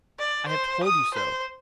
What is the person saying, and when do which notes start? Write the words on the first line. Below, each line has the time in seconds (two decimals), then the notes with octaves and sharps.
I have told you so.
0.18 D5
0.48 C5
0.83 D#6
1.14 C5